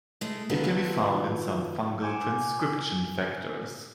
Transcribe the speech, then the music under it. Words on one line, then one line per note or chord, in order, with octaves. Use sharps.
It can be found in some fungal transcription factors.
G#3 A3
D#3 F#3 B3 F4 A4
F#5 G#5 D6 G6 E7